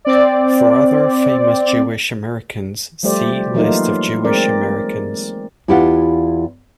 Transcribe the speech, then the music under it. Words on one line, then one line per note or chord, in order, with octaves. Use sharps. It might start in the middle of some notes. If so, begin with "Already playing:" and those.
For other famous Jewish Americans, see List of Jewish Americans.
C4 D5
F3 G3 A3 G4 C5 D5
E3 F#3 A3 A#3 D#4 F4
G#3 C4 A#4 D5
E2 E4 F4 G4 F5 F#5